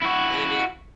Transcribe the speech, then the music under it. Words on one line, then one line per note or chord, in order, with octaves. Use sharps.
in it
E4 F#4